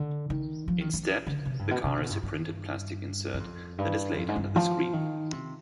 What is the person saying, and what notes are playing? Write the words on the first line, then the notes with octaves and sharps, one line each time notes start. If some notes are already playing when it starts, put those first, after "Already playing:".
Instead, the car is a printed plastic insert that is laid under the screen.
Already playing: D3
D#3
F3
D#3
F3
D3
C3
G2
B2
C3
B2
G2
G2
G2
F2
G2
F2
G#2
G2
F3
D#3
C3